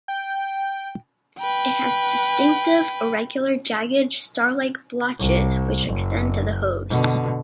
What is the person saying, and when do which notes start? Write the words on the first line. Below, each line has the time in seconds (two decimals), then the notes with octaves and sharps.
It has distinctive, irregular, jagged, star-like blotches which extend to the hooves.
0.08 G5
1.39 B4 G5
5.19 C2
5.88 F#1
6.90 B2 D3